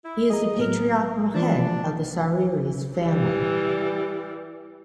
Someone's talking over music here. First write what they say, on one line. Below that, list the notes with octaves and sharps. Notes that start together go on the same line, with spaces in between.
He is the patriarchal head of the Sawiris Family.
E4
G#4 D#5 A#5
A2 F#3 A#4
E3 F3 A#3 D4
E3 G3